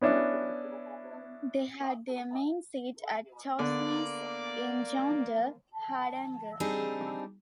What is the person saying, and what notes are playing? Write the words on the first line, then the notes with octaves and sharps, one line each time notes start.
They had their main seat at Torsnes in Jondal, Hardanger.
B3 C#4 D4 E4
D3 A#3 B3 D5
G3 C4 D4 D#4 G#4